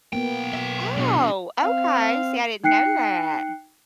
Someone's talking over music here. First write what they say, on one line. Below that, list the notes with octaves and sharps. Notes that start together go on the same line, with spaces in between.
Oh, okay, see, I didn't know that.
B1 A#3 B3 G5
E5
B2 D4 G#4
C4 F5
D#4 G5 F#6 C7 C#7